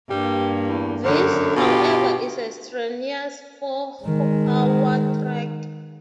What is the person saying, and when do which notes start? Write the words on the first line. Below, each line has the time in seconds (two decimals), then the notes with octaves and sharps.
This, however is a strenuous four-hour trek.
0.10 G2 G3 A#3
0.66 E2
1.04 F#2 D3
1.55 B2 F4 G4
4.03 D#3 G#3